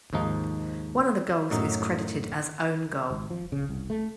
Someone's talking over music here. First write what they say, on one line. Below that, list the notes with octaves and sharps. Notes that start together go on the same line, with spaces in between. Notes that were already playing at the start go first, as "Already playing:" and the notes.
One of the goals is credited as own goal.
D#2 G#2 F3 D#4
F#2 A2 F#3 D#4
G#1
F3
C#3
C2
A3